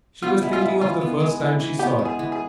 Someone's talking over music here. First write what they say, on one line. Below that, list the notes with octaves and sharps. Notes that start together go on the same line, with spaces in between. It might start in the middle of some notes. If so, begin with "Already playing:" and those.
She was thinking of the first time she saw it.
B3 F4
G#3 E4
F4
E3 E4
E3 F4
B3
G#3
E3
E3
B3 G4
G#3
G#4
E3
G#4